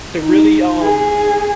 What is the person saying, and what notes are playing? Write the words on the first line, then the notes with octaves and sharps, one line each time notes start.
to really, um,
D#4
G#4